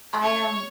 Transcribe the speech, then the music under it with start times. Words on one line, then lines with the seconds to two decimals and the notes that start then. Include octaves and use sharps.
I, um,
0.22 C#5